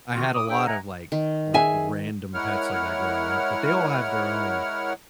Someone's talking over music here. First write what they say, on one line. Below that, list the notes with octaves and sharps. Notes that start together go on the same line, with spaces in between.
I had a lotta, like, like, random pets like that growing up, but they all have their own
D3 D#3 C4 D#4 F4 F#4
A2 D6 D#6
D4 G#4 C5 E5 G5
D#5 E5 F#5 G#5 A#5
D#3
G#4 E5 G#5
G#3 E4 A#4 C#5 F#5 F6